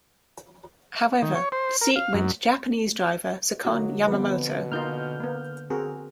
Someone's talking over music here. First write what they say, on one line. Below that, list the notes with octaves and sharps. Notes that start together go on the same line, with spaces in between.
However, the seat went to Japanese driver Sakon Yamamoto.
D#3
C#5
C5
A#4
F5
F#2
D3 F#3 A#3 D#4 F#4
B2 F3 B3 C4 B4
A#3 D#4 F4 F6 G6
A#3 B3
C4 F#4 G#4 A#4